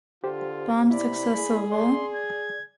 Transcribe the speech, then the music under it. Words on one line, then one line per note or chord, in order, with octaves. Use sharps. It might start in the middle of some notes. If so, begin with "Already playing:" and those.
Bom Sucesso Vol.
D3 F4 G4 C5
C3 E4 D5 B5
G#4
D5 C6
G#6